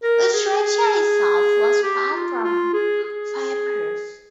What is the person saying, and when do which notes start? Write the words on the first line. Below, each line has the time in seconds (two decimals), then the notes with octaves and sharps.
The structure itself was far from fireproof.
0.03 A#4
0.33 G#4
1.83 G4
2.13 F4
2.44 F4
2.74 G#4
3.04 G#4